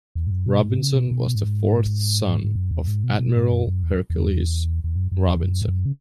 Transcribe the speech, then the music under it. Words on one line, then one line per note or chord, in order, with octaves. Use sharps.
Robinson was the fourth son of Admiral Hercules Robinson.
E2
G#2
F#2
B2
G#2
C#3
B2
B2
G#2
G#2
F#2
E2
G#2
B2
B2
G#2
F#2
F#2
E2
E2
E2
F#2
F#2
E2
F#2
G#2
F#2
C#3